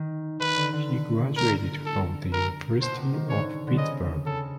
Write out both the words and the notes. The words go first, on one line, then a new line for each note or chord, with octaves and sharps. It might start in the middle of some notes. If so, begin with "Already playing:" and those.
He graduated from the University of Pittsburgh.
Already playing: D#3
D#3 B4
D3
D3
A#4
A4
A#4
B2 C5
C3
D#3
D3 C#5
D3
C#3 D#5
C#3 A4